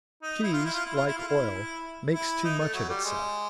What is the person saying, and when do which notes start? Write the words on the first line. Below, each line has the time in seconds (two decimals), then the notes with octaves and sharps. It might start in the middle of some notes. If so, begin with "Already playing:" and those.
Cheese, like oil, makes too much of itself.
0.22 D#4
0.43 E4
0.53 F4
0.65 E4
0.74 F4
0.85 E4
0.96 F4
1.06 E4
1.17 F4
1.28 E4
2.14 E4
2.44 D#4
2.59 A3
2.74 F#3
2.89 G3
3.04 G#3